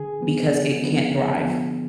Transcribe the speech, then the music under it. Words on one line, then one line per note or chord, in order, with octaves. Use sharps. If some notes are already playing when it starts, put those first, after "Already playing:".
because it can't thrive.
Already playing: D3 G#4
F3 B3
D3
F3 B3
D3
F3 B3